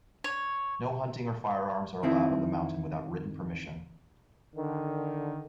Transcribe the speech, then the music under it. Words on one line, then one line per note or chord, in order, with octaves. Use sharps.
No hunting or firearms are allowed on the mountain without written permission.
C#5
D#3 C4 E4
D3 D#3